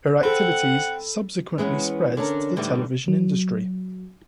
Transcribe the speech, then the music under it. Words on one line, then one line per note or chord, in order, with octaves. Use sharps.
Her activities subsequently spread to the television industry.
C4 A4 F#5 B5
E3 G#3 A#3 B3 C#4
D3 C#4 D4 A#4
A2 D3 E3 G3 C#4 D#4
F#3